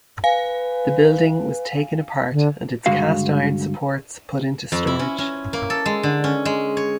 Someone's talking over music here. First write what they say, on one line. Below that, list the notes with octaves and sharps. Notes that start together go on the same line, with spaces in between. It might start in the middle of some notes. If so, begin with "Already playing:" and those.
The building was taken apart and its cast-iron supports put into storage.
B4 F5 G#5
D3
C#2 G2 D3 G#3 F#4 F5
F2
E4
C#4
C#4
A#3
A4
G#3
D3
C#4
G#3
C#5